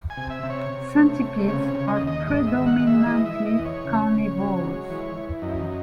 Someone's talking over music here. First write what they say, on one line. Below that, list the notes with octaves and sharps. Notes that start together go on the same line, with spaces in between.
Centipedes are predominantly carnivorous.
G#5
C3
E5
C3
C#5
C3
A3
C3
C#3 C#5
C#5
C#3
D#5
D#2
D#5
G#2 D#5
E5
D#3
F#5
G#3
E5
E3 D#5
E5
E3
D#5
E2
C#5
C#3
C#3
F#3
G#3
E3
E3
F#2 D#4